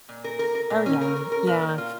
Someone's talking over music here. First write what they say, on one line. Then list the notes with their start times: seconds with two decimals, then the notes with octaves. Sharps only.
Oh, yeah. Yeah.
0.09 A#2
0.24 A#4
0.39 A#4
0.55 A#4
0.70 A#2
0.86 C#4
1.01 A#4
1.16 A#4
1.32 A#4
1.47 A#2
1.62 A#2
1.78 F4